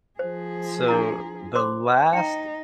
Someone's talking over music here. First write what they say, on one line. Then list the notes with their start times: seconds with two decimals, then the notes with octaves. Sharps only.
So, the last
0.19 F3 G#4 C5
0.88 D4 E4 A#5
1.55 C5 C6 D6
2.13 D#4 G5 A#5